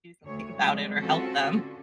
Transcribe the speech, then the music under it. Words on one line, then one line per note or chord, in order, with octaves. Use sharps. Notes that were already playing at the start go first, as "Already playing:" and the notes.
do something about it or help them.
D2 C#5
C3 F3 G3 G#3
C4 C#4 F4 F#4 A4
D3